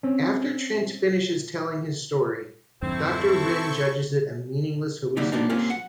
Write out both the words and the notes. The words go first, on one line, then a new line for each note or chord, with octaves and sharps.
After Trent finishes telling his story, Doctor Wrenn judges it a meaningless hallucination.
C4 C#4
F2 G#2 D3 C4 E4 A4 C#6
D3 F#3 A#3 D#4 E4
A#3 B3 D4 D#4
A#3 C4 C#4 F4 G4
F#5